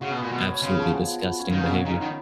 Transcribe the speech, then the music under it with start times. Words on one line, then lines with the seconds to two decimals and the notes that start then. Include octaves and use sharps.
Absolutely disgusting behavior.
0.01 C#3 F#4
0.11 B2
0.17 A#2 B3
0.32 B2 B3
0.48 C#5
0.62 C#3 G#3
0.78 F3
0.93 F3
1.08 B3
1.24 F#4
1.39 C#4
1.51 D#3 F5
1.61 C#3
1.70 B2 C#5
1.85 C#3 D#4
2.01 D#3 B3